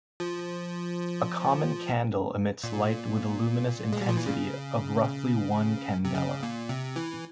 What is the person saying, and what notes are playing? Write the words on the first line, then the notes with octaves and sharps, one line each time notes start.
A common candle emits light with a luminous intensity of roughly one candela.
F3
A#2
G#3
G3
F3
E3
C#3
C3
C#3
A#2
C3
E3